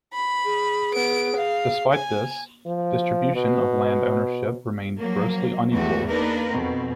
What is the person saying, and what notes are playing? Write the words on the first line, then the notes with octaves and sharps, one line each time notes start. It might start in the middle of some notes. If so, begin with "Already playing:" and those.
Despite this, distribution of land ownership remained grossly unequal.
B5
G#4
B3 D7
F5
G#5
F3
B2
F3 F#3 A#3
E2 E3 G#3 A3 F#4 G4
A#3 D4 D#4 A#4 B4
F2 B2 C4